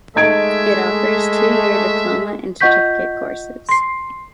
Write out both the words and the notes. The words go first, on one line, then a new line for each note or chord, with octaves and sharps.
It offers two-year diploma and certificate courses.
G#3 A3 D#4 E5 G#6 D7
F4 D#5 F#5 C#6 G6 B6
C6 C7